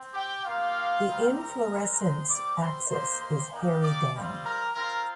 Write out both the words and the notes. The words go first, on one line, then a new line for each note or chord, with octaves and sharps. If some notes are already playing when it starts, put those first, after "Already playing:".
The inflorescence axis is hairy down.
Already playing: C4
G4 G5
A#3 D#4 F4 G4 F5
G3 C4 D#4 G4
A#4 A#5
G#3 C4 D#4
C5 C6
G3 C4 G4 D5 D6
C5 C6
A#3 D#4 G4 C5 C6
C5 C6
A#3 D#4 G4
D5 D6
G3 C4 F4
A#4 A#5
C4 F4 A#4 A#5